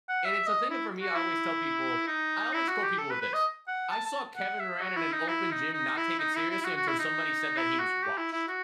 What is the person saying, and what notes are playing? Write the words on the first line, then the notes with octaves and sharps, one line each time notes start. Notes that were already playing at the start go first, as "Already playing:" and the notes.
And it's a thing uh, for me I always tell people I always quote people with this, "I saw Kevin Durant in an open gym not take it seriously until somebody said that he was washed."
F#5
E5
D#5
E4
F#4
E4
D#4
E4
F#4
G4
A4
B4
B4
D#5
F#5
A5
A5
F#5
E5
F#4
E4
D#4
E4
D#4
D#4
E4
D#4
E4
E4
E4
F#4
F#4
E4
D#4
E4
F#4
G4
E4
E4
F#4